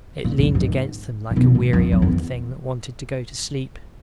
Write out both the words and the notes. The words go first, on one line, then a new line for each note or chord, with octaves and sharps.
It leaned against them like a weary old thing that wanted to go to sleep.
A#2
G#2
G2
G2
G#2
A#2
B2
A2
F2
F2
E2